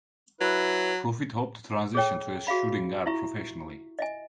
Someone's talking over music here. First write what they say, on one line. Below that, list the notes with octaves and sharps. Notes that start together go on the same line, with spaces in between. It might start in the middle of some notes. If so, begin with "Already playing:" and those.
Profit hoped to transition to a shooting guard professionally.
F#3 E4 B4
G#4 A4 C#5 G5
F#4 G#4 E5 F5 B5
E4 F4 E5 A#5 C#6
D#5 E5 G#5